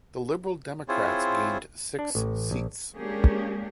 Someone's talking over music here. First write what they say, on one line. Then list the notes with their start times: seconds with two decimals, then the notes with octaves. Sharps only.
The Liberal Democrats gained six seats.
0.88 C4 E4 F4 G#4 C5 C#5
1.99 D4
2.15 A1
2.51 A#1
2.95 G#3 A#3 C#4 D4 G4 G#4